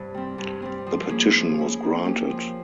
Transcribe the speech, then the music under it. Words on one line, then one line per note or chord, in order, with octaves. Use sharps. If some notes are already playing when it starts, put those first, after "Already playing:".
The petition was granted.
Already playing: G2 C3 E4
G3 C4
G2
G3 C4
F3
A#3 C#4 E4 G#4
F3
A#3 C#4 E4 G#4
F3
A#3 C#4 G4
F3